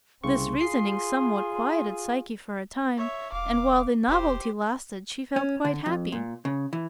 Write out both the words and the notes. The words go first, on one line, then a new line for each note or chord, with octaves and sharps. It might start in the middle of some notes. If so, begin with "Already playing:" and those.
This reasoning somewhat quieted Psyche for a time, and while the novelty lasted she felt quite happy.
C2 C#3 C4 C6 C#6
F4 G#4 C7
C#5 E5
E1 F5 D6
E1 G4 C5
C#4
D3
F2
A#2
C#3
E3